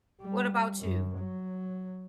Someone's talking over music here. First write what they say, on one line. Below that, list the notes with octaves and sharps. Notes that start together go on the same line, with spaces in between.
What about you?
G3
F#2
F#3